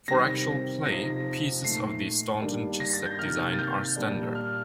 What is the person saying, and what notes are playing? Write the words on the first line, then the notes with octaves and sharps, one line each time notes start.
For actual play, pieces of the Staunton chess set design are standard.
C3 D#3 G3 C4 A#6
C3 F3 C4 D#4 A#6
A#2 A3 D#4 C7
G2 D#3 G3 A#3 D4
A#6
A6
G6
C3 D#3 A#3 F6
F6
A6
G6
A#2 G3 A#3 D4
F6